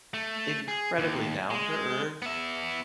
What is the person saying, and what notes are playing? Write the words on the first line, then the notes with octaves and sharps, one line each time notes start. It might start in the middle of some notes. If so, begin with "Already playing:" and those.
incredibly down-to-earth,
A3
G#4
D#2
G#3
B3 E5